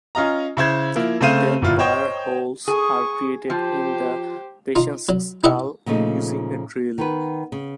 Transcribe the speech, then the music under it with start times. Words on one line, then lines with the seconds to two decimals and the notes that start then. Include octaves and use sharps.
Then burr holes are created in the patient's skull using a drill.
0.15 C#4 F4 D#5 A#5
0.57 C#3 E4 C5 G#6
0.95 F3 A#3 E4
1.21 C#3 A3 C4 C5 F5 D#7
1.62 G1 A#2 E4 F4
1.79 C5 C#5 D#5 G5
2.68 G#4 C#6 D#6
3.50 F3 G4 C5
4.76 D#4 F4
5.09 F#3
5.44 D#4 E4 G4 D#5 E5 F#5
5.86 A#2 C#3 F3 A3 D#4
6.98 D#3 B3 B4
7.52 C#3